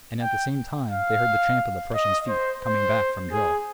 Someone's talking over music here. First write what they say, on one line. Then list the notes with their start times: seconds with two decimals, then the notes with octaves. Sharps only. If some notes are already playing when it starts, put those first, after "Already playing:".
And at the same time they heard the tramp of the Prussians' feet, coming back from drill.
0.22 G5
0.91 F5
1.94 D#5
2.28 C5
2.63 C5
3.32 G#4